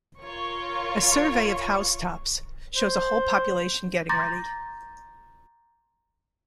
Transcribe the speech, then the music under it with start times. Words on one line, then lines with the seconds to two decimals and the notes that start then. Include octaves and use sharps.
A survey of housetops... shows a whole population getting ready.
0.21 F4 A#4 C#5 C#6
2.77 C5
4.09 A#5 C6 D6 G6 A6 A#6